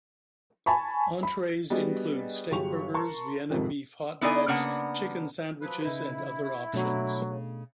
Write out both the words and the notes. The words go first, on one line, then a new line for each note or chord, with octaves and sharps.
Entrees include steakburgers, Vienna Beef hot dogs, chicken sandwiches and other options.
G#5 A5 B5 C#6
B5
G3 B3 D4 F#4 G#4 D#5
G1 F#3 G4 G#4 C#6 F7
A#4 A5 A#5 C6 C#6
F2 G#2 C3 D#3 F3
B3 D#4 E4 G#4 D5 G#5
C#3 A#3 B3 D4 F#5
F3 F#3 B4
C#3 D#4 E4 B4
B2 F#3 A3 D4
C#3